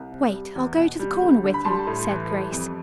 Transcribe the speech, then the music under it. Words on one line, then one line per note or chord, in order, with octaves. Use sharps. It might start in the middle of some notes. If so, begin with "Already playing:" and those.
"Wait, I'll go to the corner with you," said Grace.
Already playing: C2
C3
G3
E2
B2
G3
D2
D3
B5
G3 A5 C6
A2
E3
G3
F2